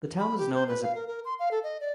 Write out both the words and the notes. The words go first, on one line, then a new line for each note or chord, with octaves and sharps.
The town is known as a balneologic and climatic resort.
B5
G4
C5
B4
F5
A#4
A#4
C6
F5
A4
D#5
D5